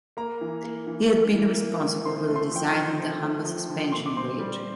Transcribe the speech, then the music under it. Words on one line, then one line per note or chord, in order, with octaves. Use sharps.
He had been responsible for the design of the Humber Suspension Bridge.
A#3 A#5
E3
A#3
E3
A#3
E3
A#3
E3
C4 C6
A3
C6
F3 G5
A5
D3
C4
A3
F3
D3
A#2 C6
D6
C4 C6
G3